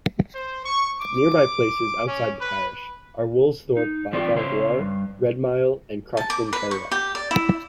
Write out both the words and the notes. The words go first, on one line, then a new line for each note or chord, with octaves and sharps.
Nearby places outside the parish are Woolsthorpe by Belvoir, Redmile, and Croxton Kerrial.
C5
C#6
D6
C#4
B4
D#4
E3 C4 F4 D5
C#3 C#4 C5 C#5 E5
G2
A5
D6
B4
C#6
G4
D5
E4